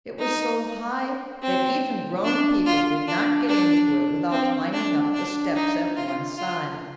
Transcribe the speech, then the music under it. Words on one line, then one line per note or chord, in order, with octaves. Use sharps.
It was so high that even grown people did not get into it without climbing up the steps at one side.
D#4
C4
D4
F4
D4
D4
C4
D4
D4
D#4
F4
F4